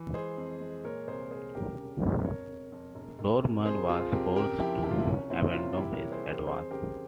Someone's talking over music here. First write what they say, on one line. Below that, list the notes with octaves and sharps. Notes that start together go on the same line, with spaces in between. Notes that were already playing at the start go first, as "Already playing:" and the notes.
Doorman was forced to abandon his advance.
Already playing: E3
G#3 G#4 C5
F2
G#3
A#2 A#4 C#5
C2 G#4 C5
C2 G#4 C5
E1 G4 A#4
C#3
E1
F2 A#4 C#5
F2
F2
E1
E1
C3
F2 G#4 C5
F2 F4 G#4
F2 G4 A#4
C#3 G4 A#4
F3 E4 G4
C#2 E4 G4
F4
E4
C2 C#4
A#2 C4 E4
C2 C#4 F4
F4
E3 E4 G4
A#4 C#5
G3
G#4 C5
E3
G4 A#4
F2 G#4 C5
C#3 G4 A#4